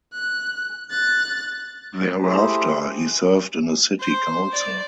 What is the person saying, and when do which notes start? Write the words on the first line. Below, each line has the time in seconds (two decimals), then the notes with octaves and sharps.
Thereafter, he served in a city council.
0.13 F#6
0.91 F#6 A6
2.22 A3 E4 G4 G#4 C5
4.00 C5
4.52 D5